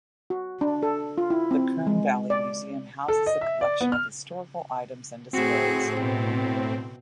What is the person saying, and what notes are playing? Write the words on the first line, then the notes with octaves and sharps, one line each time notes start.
The Kern Valley Museum houses a collection of historical items and displays.
F#4
D4
A4
F4
E4
C4
G#3
D5
A4
D#5
E5
D5
B3
F6
A2 C4 F#4 G#4
B2